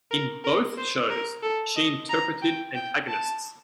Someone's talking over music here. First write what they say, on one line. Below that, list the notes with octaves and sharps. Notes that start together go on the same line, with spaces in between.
In both shows she interpreted antagonists.
A#4
A#4
C5
A#4
A4
D#5
A#5
G5
G5
A5